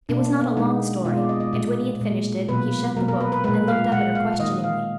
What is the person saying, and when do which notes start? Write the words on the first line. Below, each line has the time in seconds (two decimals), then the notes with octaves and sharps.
It was not a long story; and when he had finished it he shut the book and looked up at her questioningly.
0.09 B2 A#3 D4
0.25 A#3
0.41 B3
0.57 B2 G#3 D#4
1.05 B2 G#3 F4
1.17 D5
1.29 D#5
1.40 D#5
1.53 A#2 G#3
2.01 A#2 G#3
2.48 B2 F#3 A#3 B4
2.97 B2 F#3 A#3 A#4
3.08 A#4
3.20 B4
3.32 B4
3.44 A#2 G#3 B4
3.68 F5
3.92 A#2 G#3 F#5
4.15 F5
4.40 D#3 A#3 D#5
4.64 F5